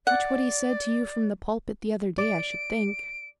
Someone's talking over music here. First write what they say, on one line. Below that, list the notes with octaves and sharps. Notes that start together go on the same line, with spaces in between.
"Much what he said to you from the pulpit the other day, I should think."
D5 F#5
D5 D7